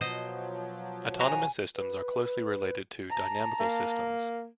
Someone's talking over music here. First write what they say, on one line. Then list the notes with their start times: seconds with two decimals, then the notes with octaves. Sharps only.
Autonomous systems are closely related to dynamical systems.
0.01 B2 F3 F#3 C5 D#5
1.21 F#4 G#5 A#5
1.75 B4
3.10 A5 A#5
3.60 A#3